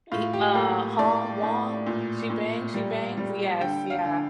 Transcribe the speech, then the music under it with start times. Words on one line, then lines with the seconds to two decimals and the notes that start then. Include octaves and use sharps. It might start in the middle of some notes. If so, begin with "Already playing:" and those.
Ee uh, Hong Wong, "She Bangs, She Bangs" yes. Yeah.
0.12 A2 F4
0.33 G4
0.54 A#3 A4
0.99 A2 D5
1.43 A2
1.86 A#2
2.30 A#2
2.74 G3
3.17 G3
3.61 D3 G5
3.90 F5
4.05 D3